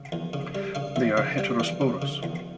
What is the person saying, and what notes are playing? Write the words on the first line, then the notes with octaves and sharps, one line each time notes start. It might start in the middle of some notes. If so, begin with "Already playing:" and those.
They are heterosporous.
Already playing: C#3
E2
C#3
G3
C#3 F5
E2 E5
C#3 F5
G3 G5
E2 F5
C#3
C#3
E2